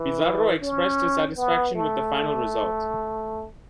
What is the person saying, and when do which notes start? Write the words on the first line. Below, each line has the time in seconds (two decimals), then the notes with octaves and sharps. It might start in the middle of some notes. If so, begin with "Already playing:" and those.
Pizarro expressed his satisfaction with the final result.
Already playing: E3
0.62 C#4
1.37 B3
1.75 A3